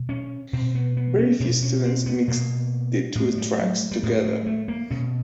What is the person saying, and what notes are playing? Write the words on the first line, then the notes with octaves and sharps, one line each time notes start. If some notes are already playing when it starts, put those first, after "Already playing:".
Very few students mix the two tracks together.
Already playing: B2
C#4
B2 C4
B3
B3
C#4
B2 D4
C#4
C4
B3
B2 A#3
A2 G#3
G3
F#3
G3
A2 G#3
G#3
A3
A#3
B2 C#4